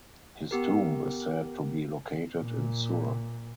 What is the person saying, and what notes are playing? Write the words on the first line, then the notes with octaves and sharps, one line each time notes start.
His tomb is said to be located in Sur.
B3 G4 A#4
A#2